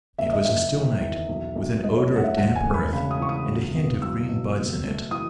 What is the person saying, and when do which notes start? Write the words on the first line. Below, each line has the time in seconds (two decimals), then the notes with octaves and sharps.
It was a still night, with an odour of damp earth, and a hint of green buds in it.
0.18 F#1 E5
0.32 D#5
0.45 F#1 E5
0.73 D#3
1.00 E2
1.29 B1
1.56 B1
1.83 G#3 D#5
1.97 C#5
2.11 A2
2.16 F#5
2.24 E5
2.37 E1 F#5
2.56 G#5
2.65 E1
2.74 B5
2.92 C#3 B5
3.11 D#6
3.20 E2 C#6
3.29 D#6
3.47 B1
3.75 B3
4.02 F#3 E6
4.29 B2
4.56 F#1
4.84 A3
5.11 E3 D#6